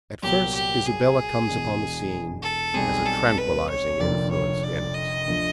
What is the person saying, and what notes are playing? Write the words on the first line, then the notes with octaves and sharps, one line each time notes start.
At first Isabella comes upon the scene as a tranquillising influence in it.
C2 A#2 F#3 B3 G4
G4
G#4
E1 E2 B2
A4
B1 B2 G3 C4 G#4
A4
B4
C#5
F1 F2 D3 F3 A#3 D5
C#5
D5
D#5
D2 D3 F3